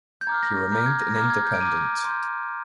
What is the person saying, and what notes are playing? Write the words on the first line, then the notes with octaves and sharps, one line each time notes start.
He remained an independent.
G6
A#5 D6 F6 G#6
A#6
A#6
A#5 D6 F6 G6
G#6
A#6
A#6
A#5 D6 F6 G#6
G#6
G6
D7
A#5 D6 F6 D#7
C6 G6